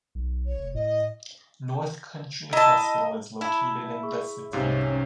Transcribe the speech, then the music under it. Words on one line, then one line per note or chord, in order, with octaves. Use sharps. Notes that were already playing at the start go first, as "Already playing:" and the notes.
North Country Hospital is located in the city.
B1
C#5
F1
A2 D#5
E4 D#5 A5 A#5
E4 A5 G#6
G#4 C#6
C2 G#2 C3 C#4 D#4 G4 F5